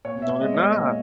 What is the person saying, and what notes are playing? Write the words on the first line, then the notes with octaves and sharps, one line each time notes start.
No, they're not.
A#2 C#5
E5
G#3 B3 D#5
C#5
D#5
A#2